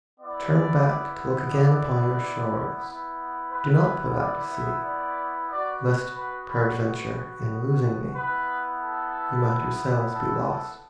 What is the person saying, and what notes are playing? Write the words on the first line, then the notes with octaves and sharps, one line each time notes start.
Turn back to look again upon your shores; Do not put out to sea, lest peradventure, In losing me, you might yourselves be lost.
B3 E4 D5
D5
B3 E4
B4
D5
E5
D5
B3 F#4 D5
B4
B4
B5
B3 E4 B4
A4
A4
A4